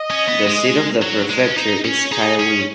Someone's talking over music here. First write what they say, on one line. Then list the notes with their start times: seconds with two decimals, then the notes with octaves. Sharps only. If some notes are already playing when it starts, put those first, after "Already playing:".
The seat of the prefecture is Kaili.
Already playing: D#5
0.10 C#4
0.28 B3
0.47 G#3
1.02 F#3
1.29 G#3
1.47 C#4
1.57 D#4
1.84 C#4
2.12 D#4 G#4
2.40 C#4